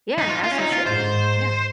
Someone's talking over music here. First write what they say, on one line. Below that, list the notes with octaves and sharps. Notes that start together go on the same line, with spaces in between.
Yeah, and as you should be, yeah.
D#4
F4
F4
C#4
D#4
F4
G#2 C5